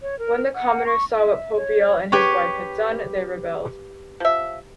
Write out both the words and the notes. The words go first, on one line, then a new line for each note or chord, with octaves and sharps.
When the commoners saw what Popiel and his wife had done, they rebelled.
C#5
A#4
F#5
C#6
E5
C#5
G4 B4 C#5
F3 E5